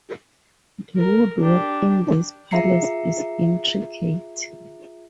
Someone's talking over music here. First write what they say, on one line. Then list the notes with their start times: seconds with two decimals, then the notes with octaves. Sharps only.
The woodwork in this palace is intricate.
0.96 A#4
1.40 D4 G4
2.51 F4 G#4 E5 A#5 C7 C#7